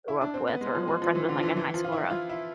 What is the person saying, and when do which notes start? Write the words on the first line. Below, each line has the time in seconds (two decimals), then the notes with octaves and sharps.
grew up with or were friends with, like, in high school or, uh
0.08 E4
0.21 D4
0.34 C4
0.48 B3
0.61 G#3
0.75 F3
0.88 G#3
1.02 F3
1.15 E3
1.29 D3
1.38 F3
1.43 E3
1.57 E3
1.74 F3
1.84 F4
1.92 E4
2.10 F4
2.29 E4